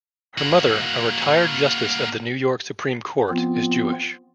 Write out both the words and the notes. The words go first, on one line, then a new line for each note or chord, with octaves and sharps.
Her mother, a retired justice of the New York Supreme Court, is Jewish.
A#3 F#4
F3 B3 C4 F4